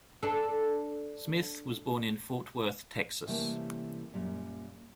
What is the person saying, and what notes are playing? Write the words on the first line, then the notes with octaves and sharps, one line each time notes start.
Smith was born in Fort Worth, Texas.
D4 A4
C3 E3 G3 A3 A#3 C#4
F#2 A#2 G3